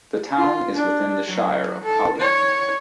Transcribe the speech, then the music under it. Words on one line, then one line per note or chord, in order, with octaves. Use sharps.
The town is within the Shire of Collie.
F4
D4
F#3
A4
C#5